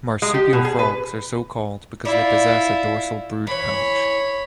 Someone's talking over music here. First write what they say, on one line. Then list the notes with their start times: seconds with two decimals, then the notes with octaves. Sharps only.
Marsupial frogs are so-called because they possess a dorsal brood pouch.
0.22 G#3
0.34 G4
0.53 B2
0.65 G#4
0.79 B4
2.05 E4 F4 D5
3.47 E3 C#5 B5